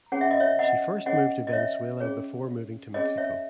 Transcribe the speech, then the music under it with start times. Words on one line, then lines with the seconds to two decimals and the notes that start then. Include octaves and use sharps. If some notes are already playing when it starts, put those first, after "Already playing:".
She first moved to Venezuela before moving to Mexico.
0.12 C#4 G#4 C#5 F#5
0.21 E5
0.31 D#5
0.40 C#5 E5
0.59 D#5 F#5
1.06 C#4 G#4 C#5 D#5 F#5
1.47 D#5
1.53 C#5 E5
2.00 C#4 G#4 C#5
2.94 C#4 G#4 C#5 D#5
3.17 C#5 E5